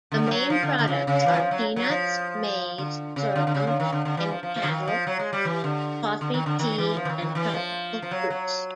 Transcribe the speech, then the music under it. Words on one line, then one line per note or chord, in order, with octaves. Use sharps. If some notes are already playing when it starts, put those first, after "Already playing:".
The main products are peanuts, maize, sorghum and cattle, coffee, tea and tropical fruits.
D3
G3
F#3
F3
D3
D3
C#3
C#3
E3
F#3
F3
F#3
F#3
F3
D3
C#3
D3
D3
C#3
D3
D#3
D3
D3
E3
F3
F3
F3
D3
D#3
F3
F#3
G#3
G3
E3
D3
D3
D#3
D3
D#3
E3
F3
E3
D#3
D#3
E3
F3
F3
F#3
F#3